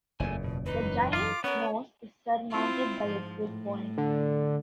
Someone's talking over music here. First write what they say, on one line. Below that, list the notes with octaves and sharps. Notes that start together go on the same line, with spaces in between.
The Giant's nose is surmounted by a trig point.
F#1 E2 A#2 A3 G#5
B2
F#2 E3 D#4 B4
F4 D6
B3 C#4 A#4 C#5
C4 E4 F4
G#2 F3
A2
D3